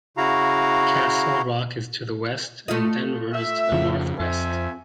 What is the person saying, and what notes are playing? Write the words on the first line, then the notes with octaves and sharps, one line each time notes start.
Castle Rock is to the west, and Denver is to the northwest.
C#3 E4 F#4 F5 A#5
A3 F4 D#5
E5
F2 C#3 F3
F2 C5 E5 G#5